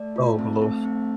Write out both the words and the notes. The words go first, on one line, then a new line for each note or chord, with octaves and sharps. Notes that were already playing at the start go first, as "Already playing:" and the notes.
Oh, hello.
Already playing: A3 D5
F4
C4
C4
C4